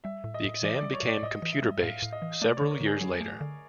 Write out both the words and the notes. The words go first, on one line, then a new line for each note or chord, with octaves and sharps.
The exam became computer based several years later.
G3 E5
A2
D#5
A2
E3 D5
G3 D5
C#5
A2
D5
A2 D#5
E3
E5
G3
A2 F5
A2
D#5
E3
A3 D5
D3 C#5
A#4
D3
G#4
F#3
A3
D3